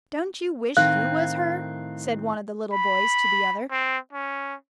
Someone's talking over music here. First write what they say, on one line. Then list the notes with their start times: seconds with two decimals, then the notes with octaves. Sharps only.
'Don't you wish you was her?' said one of the little boys to the other.
0.77 A2 D#3 C4 F5 F#6
2.73 B5
3.71 C4
4.13 C#4